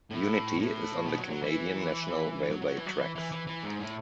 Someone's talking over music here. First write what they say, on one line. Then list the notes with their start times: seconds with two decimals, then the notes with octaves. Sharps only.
Unity is on the Canadian National Railway tracks.
0.10 A2
0.59 A2
1.06 B2
1.18 F#3
1.30 F#3
1.42 E3
2.50 F#3
2.62 F#3
2.77 E3
2.86 F#3
2.98 E3
3.15 E3
3.31 E3
3.47 E3
3.63 G#2
3.79 A2